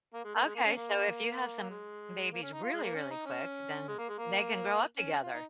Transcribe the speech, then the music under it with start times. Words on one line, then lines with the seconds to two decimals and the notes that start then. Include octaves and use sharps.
okay, so if you have some babies really, really quick, then they can grow up together.
0.14 A#3
0.24 G#3
0.35 A#3
0.45 G#3
0.55 A#3
0.65 C#4
0.76 A#3
1.70 G#3
2.32 A#3
2.42 C#4
2.53 D#4
2.63 F4
2.73 G#3
2.84 A#3
2.94 C#4
3.10 D#4
3.26 C#4
3.88 G#3
3.98 A#3
4.09 G#3
4.19 A#3
4.97 C#4
5.12 C#4
5.23 F4
5.33 D#4